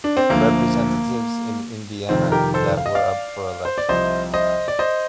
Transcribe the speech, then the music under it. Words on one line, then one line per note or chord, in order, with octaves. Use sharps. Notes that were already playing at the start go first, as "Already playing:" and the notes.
Representatives in Indiana that were up for election.
D4
C4
D2 D3 F3 A#3
F1 F2 D#3 C4
G4 A#4
A4 C5
F5
D#5
D5 F5
C5
D5
C2 C3 F3 C5 D#5
C5 D#5
D5
C5 D#5